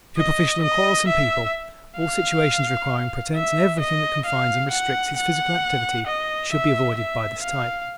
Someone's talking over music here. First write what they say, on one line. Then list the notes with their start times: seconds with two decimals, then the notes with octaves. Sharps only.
Superficial and quarrelsome people, all situations requiring pretence, and everything that confines and restricts his physical activity should be avoided by this type.
0.17 D#5
0.62 D#5
1.08 E5
1.98 F5
3.35 E5
3.80 D#5
4.26 F5
4.71 F#5
5.17 F#5
6.07 D#5
6.52 E5
6.98 E5
7.43 F5